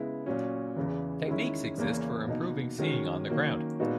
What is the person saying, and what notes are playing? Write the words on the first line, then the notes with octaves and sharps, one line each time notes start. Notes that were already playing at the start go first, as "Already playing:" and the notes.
Techniques exist for improving seeing on the ground.
Already playing: C#3 G#3 B3 E4
A#2 F#3 C#4
E2 C#3 E3
D#3 G#3 C#4 E4
E2 C#3 E3 A#3 C#4
B2 A#3 D#4
D#3 G#3 C#4 F#4
D#3 F#3 A#3 C#4
A#2 G#3 B3 D#4 F#4